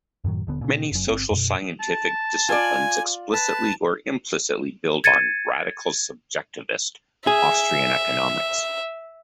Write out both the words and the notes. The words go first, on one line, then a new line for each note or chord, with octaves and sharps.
Many social scientific disciplines explicitly or implicitly build on "radical subjectivist" Austrian Economics.
F#2 A2 D#3 F#3
D#1 D3 B3
A#2 C#3
F#1 F#2
G1 C4
F#2 B2
A5
F4 D5 G#5
B4 A5
G#6 A6 C#7 D#7
G#4 E5